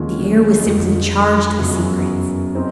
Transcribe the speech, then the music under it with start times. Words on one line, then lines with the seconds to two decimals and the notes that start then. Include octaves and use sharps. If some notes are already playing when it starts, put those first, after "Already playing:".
The air was simply charged with secrets.
Already playing: D#2 D3 F3 G#3 C#4
0.60 F2 D3 F3
1.58 F#2 C#3 F#3 B3
2.55 C4 D#4